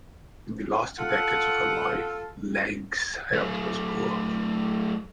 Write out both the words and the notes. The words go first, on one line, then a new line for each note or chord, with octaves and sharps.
In the last two decades of her life, Lange's health was poor.
F4 A4 F#5
F#3 A3